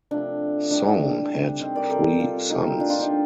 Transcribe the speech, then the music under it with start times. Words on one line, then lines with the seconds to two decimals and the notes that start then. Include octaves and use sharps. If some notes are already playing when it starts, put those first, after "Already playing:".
Song had three sons.
0.11 C3 F3 A3 D4
0.70 A2 G3 D4
1.30 C3 G3
1.61 C4 D#4
1.75 A#4 D5
1.90 C3 G3 A4 C5
2.20 F4 A4
2.50 A#2 F3 A3 D#4 G4
2.79 D4 F4
2.90 D4 F4
2.99 D#4 G4
3.10 A3